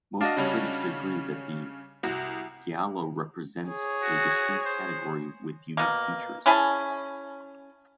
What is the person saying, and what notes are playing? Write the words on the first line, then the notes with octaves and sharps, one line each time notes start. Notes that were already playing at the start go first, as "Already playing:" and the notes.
Most critics agree that the giallo represents a distinct category with unique features.
D4 F#4 D#5 F5
C#3 G3 C#4
C2 F#4
G#4 C#5
F#4
C5
B2 A#3
C#4 E4 G#4 A5